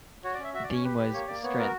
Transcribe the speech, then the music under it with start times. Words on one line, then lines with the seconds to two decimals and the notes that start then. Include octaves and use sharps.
The theme was "strength".
0.24 F#4 C#5
0.34 D5
0.39 C#4 E5
0.53 F#4 E5
0.64 D5
0.69 C#4
0.74 C#5
0.84 G4 B4
0.98 G4
1.13 A#3 C#5
1.28 A#3 D5
1.43 B3 C#5
1.58 F#4 A#4